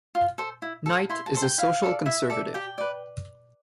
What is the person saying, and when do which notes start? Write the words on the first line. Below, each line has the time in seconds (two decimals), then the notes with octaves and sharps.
Knight is a social conservative.
0.15 F4
0.38 A4 C5
0.62 E4
0.86 A4 C5
1.10 E4 C6
1.26 A5
1.34 A4 C5
1.42 G5
1.58 E4 F5
1.83 A4 D5
2.06 E4 E5
2.30 A4 D5
2.54 G4 G5
2.78 B4 D5